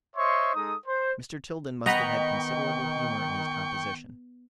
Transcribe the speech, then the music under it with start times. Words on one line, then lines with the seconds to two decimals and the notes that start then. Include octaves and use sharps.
Mr. Tilden must have had considerable humor in his composition.
0.16 C5 C#5 D#5 E5 C6 C#6
0.55 G#3 D#4 A4 D#6
0.86 C5
1.86 D#3 B3 D#5 G5 A#5 B5 C#6